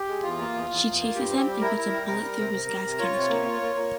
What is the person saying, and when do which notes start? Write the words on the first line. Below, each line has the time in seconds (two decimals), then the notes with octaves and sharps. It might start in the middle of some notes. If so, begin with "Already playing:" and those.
She chases him and puts a bullet through his gas canister.
Already playing: G4
0.08 G#3
0.23 E2 F4
0.38 A#3
0.54 E2
0.70 E2
0.84 E2
1.01 A#3
1.15 G2 G4
1.31 C4
1.38 G4
1.46 G3
1.61 E4 A#4
1.77 E4
1.92 G3
2.07 C3 A#4
2.23 G3
2.38 C3
2.53 C3
2.68 G3
2.85 C3
2.99 F4 C#5
3.15 C3
3.29 A#3
3.45 F4
3.61 A#3
3.75 A#3